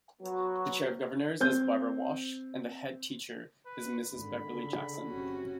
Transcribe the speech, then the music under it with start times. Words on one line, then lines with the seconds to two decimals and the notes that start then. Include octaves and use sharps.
The Chair of Governors is Barbara Walsh and the Headteacher is Mrs Beverley Jackson.
0.22 F#3 B3 F#4
1.41 C4 G6
3.66 B4
4.11 G#1 D3 B5
4.50 C#3
5.07 F#1 C3 C#4 F#4